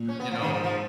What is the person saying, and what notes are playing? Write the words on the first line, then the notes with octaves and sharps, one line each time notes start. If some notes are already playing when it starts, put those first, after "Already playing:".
you know,
Already playing: A#2
C#4
B3
F3
G#2 D#3
F3
F3